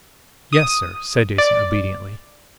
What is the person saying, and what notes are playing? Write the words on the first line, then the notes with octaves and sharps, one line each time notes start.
"Yes, sir," said Jason obediently.
D#6
D5